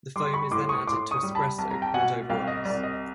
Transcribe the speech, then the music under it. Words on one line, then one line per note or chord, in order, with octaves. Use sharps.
The foam is then added to espresso poured over ice.
G3 C6 D6
B5 C#6
A2 C6 D6
C#6 D#6
A2 C6 D6
C#6 D#6
G3
A5 B5
C2 A5
A#5
G5 A5
B2 F#5 G#5
C2 F5 G5
D#5
C2 D5
D#5